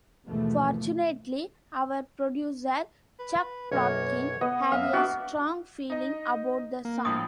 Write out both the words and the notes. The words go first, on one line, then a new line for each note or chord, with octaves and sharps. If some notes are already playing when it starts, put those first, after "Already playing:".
Fortunately, our producer, Chuck Plotkin, had a strong feeling about the song.
D#2 G#2 B2 E3 F3 A3
B4
B1 F#2 A#3 C#5
B3 D#5
F#2 E5 F5
B3 D4 F#4 D6
D#4 D#5
A#3
A#1 A2 F3 D#6